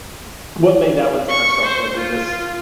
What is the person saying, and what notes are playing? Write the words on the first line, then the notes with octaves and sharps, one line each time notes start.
What made that one special? Was it just
C#6
C5
F4